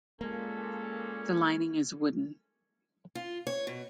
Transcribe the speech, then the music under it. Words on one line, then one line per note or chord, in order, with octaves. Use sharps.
The lining is wooden.
A#2 G#3 A#3 C#4 A4
F4
C#5
B2